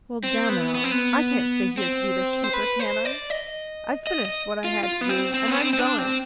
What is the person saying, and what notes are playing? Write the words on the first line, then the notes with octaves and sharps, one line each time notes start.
Well, damn it all, I can't stay here to be their keeper, can I? I've finished what I had to do, and I am going.
C4
B3
B3
C4
B3
C4
C5
B4
C5
D5
D#5
D#5
D#5
F4
F4
B3
C4
C4
B3
C4
C4
D4
C4